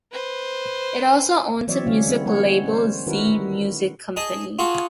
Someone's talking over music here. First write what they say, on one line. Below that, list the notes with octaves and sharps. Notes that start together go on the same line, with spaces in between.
It also owns a music label, Zee Music Company.
B4 C5
E3 F#3 C4 C#5 D5 E5
D3 G3 C#4 C#5 F5
G#3 B3 C4 E4
G3 G#3 A#3 C#5 F#5
C#4 C5
D#3 C#4 E4 F#4 A#4 B4
G#4 D#5 A5
F4 F#4 G#4 A5